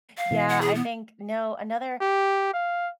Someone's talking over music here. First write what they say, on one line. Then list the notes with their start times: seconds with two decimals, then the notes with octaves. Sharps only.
Yeah, I think no, another
0.17 F5
0.31 B2 E3
0.49 F#5
0.61 G#4
0.75 B3
2.01 G4
2.53 F5